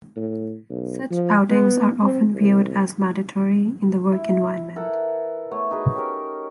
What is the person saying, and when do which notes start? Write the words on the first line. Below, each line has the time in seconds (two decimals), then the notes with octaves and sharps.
Such outings are often viewed as mandatory in the work environment.
0.16 A2
0.69 B1
1.11 F3
1.49 B3
2.02 C4
2.34 C2
4.13 E4
4.76 E3 A4 A#4 F#5
5.51 A3 B3 C#5
5.71 D#4 F#4 G#4 B4
5.95 C#4 G4 A4 A#4